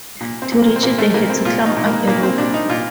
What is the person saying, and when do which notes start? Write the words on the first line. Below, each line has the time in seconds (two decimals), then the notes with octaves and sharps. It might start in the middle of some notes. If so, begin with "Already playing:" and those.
To reach it, they had to climb up a rope.
0.21 A#2
0.42 C4
0.52 A#2
0.62 A#3
0.76 C4
0.83 A#2 A#3
0.98 A3
1.14 A#2 A#3
1.30 C4
1.45 A#2 F4
1.66 D#4
1.76 A#2
1.87 A#3
2.07 A#2 A#3
2.23 C4
2.38 A#2 D4
2.54 D#4
2.69 A#2 F4